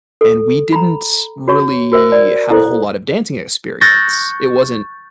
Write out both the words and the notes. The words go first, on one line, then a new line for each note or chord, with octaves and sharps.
and we didn't really have a whole lot of dancing experience, it wasn't
A4
A#5 B5
F#4 C#5 C#6
F#4 A#4 C5 E5
D5
E4 A4 C5
C#6 E6 F#6 G6 A6 A#6